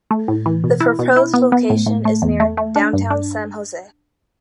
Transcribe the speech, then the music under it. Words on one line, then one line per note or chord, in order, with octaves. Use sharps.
The proposed location is near downtown San Jose.
A3
A2
E3
B2
E4
B2
E4
B3
B3
A2
A2
A3
E2
A3
A3
D4
G2
D4